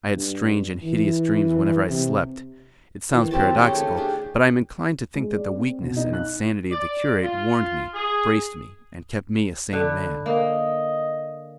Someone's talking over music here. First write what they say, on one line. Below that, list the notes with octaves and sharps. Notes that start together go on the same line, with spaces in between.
I had strange and hideous dreams whenever I slept. It sounds paradoxical, but I am inclined to think that the weakness and insanity of the curate warned me, braced me, and kept me a sane man.
G2
E3
C3
D#3 E3
C4 F#4 G4 A5
D#4 G4 G#4 C#5
C#3 A3
D4 G4 G#4
G#3
D5
C4
B2
D#4
F#6
D5
F4
G#4
D3 B4
A#3 D#5